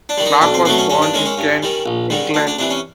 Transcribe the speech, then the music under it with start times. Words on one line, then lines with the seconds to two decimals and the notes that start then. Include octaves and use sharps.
Clarke was born in Kent, England.
0.09 D4
0.17 D#3 G3
0.26 D#4
0.41 B1 D4
0.54 C4
0.65 B2 F#3 A3 C4
0.78 C#4
0.90 G2 C#4
1.02 D4
1.14 D#3 G#3 C#4
1.26 C#4
1.38 G2
1.63 D#3 G3
1.86 A#1
2.10 G#2 D#3 G3
2.34 D2 D4
2.47 D4
2.59 C3 E3 D4
2.70 C#4